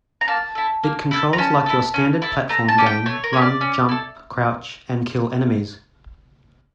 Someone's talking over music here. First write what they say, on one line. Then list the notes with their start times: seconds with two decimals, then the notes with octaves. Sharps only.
It controls like your standard platform game: run, jump, crouch, and kill enemies.
0.21 A#5
0.28 A#3 A5
0.55 E4 A4
0.84 A#3
1.11 E4 A4
1.33 A#5
1.38 C#4 A5
1.66 E4 A4
1.94 C#4
2.22 E4 A4
2.49 A3 A#5
2.68 A5
2.78 C#4 G4
2.86 G5
3.06 A3 C#5
3.24 A#4
3.33 C#4 G4 C#5
3.42 D5
3.61 C#4
3.89 E4 A4